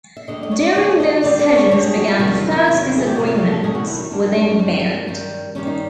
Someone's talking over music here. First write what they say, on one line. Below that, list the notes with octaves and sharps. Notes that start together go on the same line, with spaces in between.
During those sessions began the first disagreements within band.
E5
D2 D3 G3 D#5
D#5
C#5
D5
D2 D3 G3 C#5
D#5
D2 D3 G3 D5
D5
C#5
D2 D3 G3 C#5
G#4
F#4
F4
E2 C3 D#3 F#3 F#4
F4
F4
E2 C3 D#3 F#3 F4
G#4
G4
E2 C3 D#3 F#3 F#4
F4
F#4
A4
E2 C3 D#3 F#3 G#4
F#4
E4
D#4
G2 D#3 G3 D4
D#4
D4
C#4
G2 D#3 G3
G2 D#3 G3
G2 D#3 G3 C#4
D#4